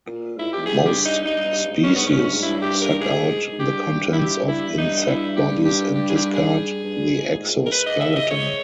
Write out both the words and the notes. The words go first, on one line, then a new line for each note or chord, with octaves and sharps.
Most species suck out the contents of insect bodies and discard the exoskeleton.
A#2
G#2 E4
G4
E2
G2 G#4
G4
D#4
G2 D#4
G2
G2
G#2
G2
G#2 C#4
G2 B3
G#2
G2 C#4
G#2
G2
G#2
G2 E4
G4
A#4
G#2 G#4
G#2
G#2
G2 G4
E4
G4
E4
E2
G2 D#4
E4
G4
G4
G4
G#4
G4
G#4
G2
G2
G#2
A#2
G#2
A#4
B4
D#5
E5
D#5
C#5